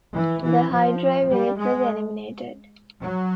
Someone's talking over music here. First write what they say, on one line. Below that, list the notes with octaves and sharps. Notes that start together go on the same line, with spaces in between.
The Hy-Drive unit was eliminated.
E3
E3
F3
G3
G#3
F#3